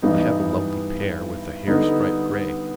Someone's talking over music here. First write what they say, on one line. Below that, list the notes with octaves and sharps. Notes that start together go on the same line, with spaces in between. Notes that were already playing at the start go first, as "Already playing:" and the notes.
I have a lovely pair with a hair stripe, grey.
G2 E3 G3 B3 D#4
D3 G3 B3 D#4